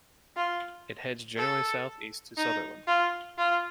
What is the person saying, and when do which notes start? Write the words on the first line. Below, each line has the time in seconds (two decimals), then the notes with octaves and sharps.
It heads generally south-east to Sutherland.
0.36 F4
1.37 A4
2.37 D#4
2.87 F4
3.38 F4